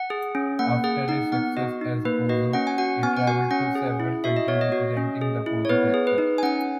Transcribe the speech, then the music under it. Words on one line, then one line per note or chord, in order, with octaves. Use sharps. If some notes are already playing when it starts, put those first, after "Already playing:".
After his success as Bozo, he traveled to several countries representing the Bozo character.
Already playing: F#5
G#4
C#4
A#3 F#5
G#4 F#5
D#4 F#5
B3 F#5
F#4 D#5
D#4
A#3 B4
F#4 D#5
C#4 F#5
G#5
F#4 F#5
B3 G#5
F#5
F#4 G#5
C#4 F#5
G#4
E4
F#4 E5
D#5
B3 C#5
D#5
F#4
C#4
G#4
E4
C#5
B3 B4
G#4
B4
D#4
G#5
C#4 F#5